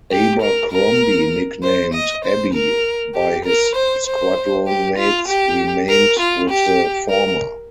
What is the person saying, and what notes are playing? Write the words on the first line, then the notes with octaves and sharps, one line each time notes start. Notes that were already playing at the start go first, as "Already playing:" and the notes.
Abercrombie-nicknamed "Abbie" by his squadron-mates-remained with the former.
G4
A#4
A#4
C5
D#5
C5
A#4
G4
A#4
C5
C5
G4
F4
G4
A#4
F4
G4
A#4